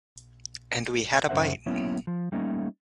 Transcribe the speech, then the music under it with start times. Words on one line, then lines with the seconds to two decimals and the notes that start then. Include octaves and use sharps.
And we had a bite.
1.29 F#2 C#3 A#4 C5 E5 F#5
1.66 F#3 A#3 B3 C#4 E4
2.07 F3
2.32 G3 A3 A#3 C#4 D#4